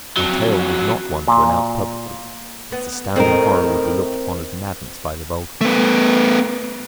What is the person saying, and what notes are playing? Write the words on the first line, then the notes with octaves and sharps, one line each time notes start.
My tale was not one to announce publicly; its astounding horror would be looked upon as madness by the vulgar.
F2 F#3
A#2
B3
A2 D#3 C4 A#4
A3 B3